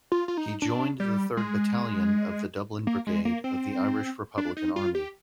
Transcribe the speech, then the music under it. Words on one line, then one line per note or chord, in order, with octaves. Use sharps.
He joined the Third Battalion of the Dublin Brigade of the Irish Republican Army.
F4
F4
D#4
D4
G3
G#3
A#3
G#3
A#3
C4
D4
D#4
F4
G4